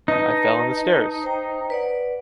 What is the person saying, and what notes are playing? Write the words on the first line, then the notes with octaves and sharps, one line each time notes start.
I fell in the stairs.
D#4 B4 A5
C5 G5
B4 D5 F#5